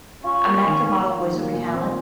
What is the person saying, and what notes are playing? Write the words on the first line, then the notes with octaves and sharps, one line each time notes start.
I'm an actor, model, and voice-over talent,
C#4 F4
A#3
D#3
D#2
F4
A#3
A#2
C4